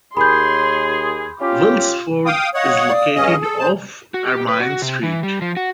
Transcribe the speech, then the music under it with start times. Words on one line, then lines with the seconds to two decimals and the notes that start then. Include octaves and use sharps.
Wilsford is located off Ermine Street.
0.17 D#2 G#4 B5 C6 G6
1.41 C#4 F4 G4
2.26 F5 G5 D#6
2.54 C#5 D#5 F5 F#5 D#6
2.88 D5
3.16 G2 C#4 G#4 D#5
3.42 A4
3.58 C5 A5
4.14 F#4
4.27 G4
4.49 B4
4.60 F#4
4.82 C3
5.03 E3
5.23 G3
5.42 F3
5.57 F#4